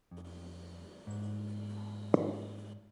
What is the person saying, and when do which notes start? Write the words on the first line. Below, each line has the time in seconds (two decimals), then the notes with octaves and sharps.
The Red Lodge cemetery contains a memorial.
0.11 F2
1.07 G#2